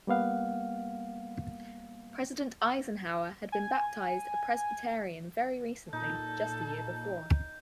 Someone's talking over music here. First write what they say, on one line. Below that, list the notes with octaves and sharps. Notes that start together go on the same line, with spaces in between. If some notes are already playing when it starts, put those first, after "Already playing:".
President Eisenhower had been baptized a Presbyterian very recently, just a year before.
G3 A#3 B3 F5 F#5
G#5
A#2 D#4 A4 G6